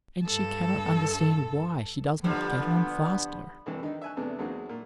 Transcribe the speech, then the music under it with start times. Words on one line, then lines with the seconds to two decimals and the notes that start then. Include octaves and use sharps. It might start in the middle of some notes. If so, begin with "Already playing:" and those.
And she can not understand why she does not get on faster.
0.23 G2 A4
2.24 G2 D3 F3 B3
3.66 C2 F2 E3
3.83 D3 D#3 D#4
4.02 E5 G#5 F#6
4.17 E2 C3 A3 B3 D4
4.39 E2 F#3 G#3 A#3 C4 D#4
4.69 A#2